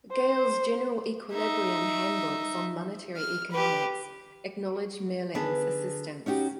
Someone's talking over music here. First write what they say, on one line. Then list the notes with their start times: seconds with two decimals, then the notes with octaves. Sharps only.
Gale's general equilibrium handbooks on monetary economics acknowledge Merhling's assistance.
0.11 C5
1.34 D#4 E5
3.17 F6
3.51 G4 B4
5.35 D3 B3 G#4 B4
6.26 C#4 D#4 F#4 G4